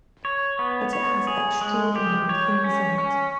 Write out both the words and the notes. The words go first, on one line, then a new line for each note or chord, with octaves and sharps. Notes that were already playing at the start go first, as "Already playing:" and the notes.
But it has extraordinary things in it.
C#5
B3
C#5
G#4
G#3
G4
C#5
C#4
C#4